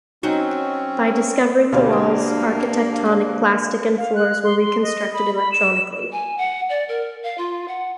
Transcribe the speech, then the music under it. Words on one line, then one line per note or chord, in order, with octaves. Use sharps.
By discovering the walls, architectonic plastic and floors were reconstructed electronically.
F#3 C4 C#4 D#4 F#4
D2 B2 G3 A#3 D4 C5 F5
F5
F#6
C6
C6
D#5
B5
B5
E7
G#5
F#5
D5
A#4
F5
F4
F#5